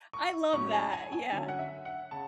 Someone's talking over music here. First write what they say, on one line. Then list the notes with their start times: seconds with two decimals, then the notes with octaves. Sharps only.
I love that. Yeah.
0.13 C#6
0.53 A2 F#3 C#4 C#6
0.73 A5
0.93 G#5
1.12 G#5
1.32 D3 F#3 C#4
1.48 F#5
1.59 E5
1.85 F#5
2.11 C#3 A5